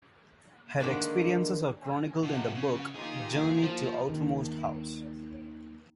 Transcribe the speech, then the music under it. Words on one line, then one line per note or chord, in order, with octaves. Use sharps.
Her experiences are chronicled in the book "Journey to Outermost House".
D3 D#3 G#3 A#3 D4
C3 F3 F#5
C#3
D#3 A#3 D#4 F4 G4 G#4
F3
D#2 D#3